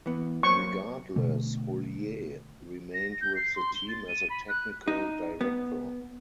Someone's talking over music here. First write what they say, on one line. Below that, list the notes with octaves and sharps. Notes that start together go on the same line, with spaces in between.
Regardless, Houllier remained with the team as a technical director.
E3 B3
F#3 A#3 C5 C#6
B2 D3 A3
A#6
G6
C7
C6
G7
A6
D#7
B5
F#6
D#4
B3